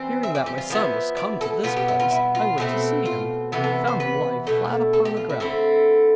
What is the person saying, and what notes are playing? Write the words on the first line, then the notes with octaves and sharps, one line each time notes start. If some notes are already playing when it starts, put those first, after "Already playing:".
Hearing that my son was come to this place, I went to see him, and found him lying flat upon the ground.
Already playing: E3 G3 C4
E5
D5
G4
F4
F3 B3 E4
D5
A4
B2 G3 B3 F4
G4
E4
F4
E4
F4
B2 A3 C4 E4
F4
C3 E3 B3 A4
A4
C5
B4
B2 A3 D4
A4
G4
F4
E4
D3 A3 C4 E4